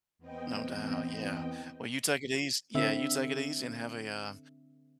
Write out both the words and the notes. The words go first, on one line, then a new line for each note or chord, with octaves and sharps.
No doubt, yeah. Well, you take it eas Yeah, you take it easy and have a, uh,
E2 B3 C4 D#5 G5
D3 C4 E5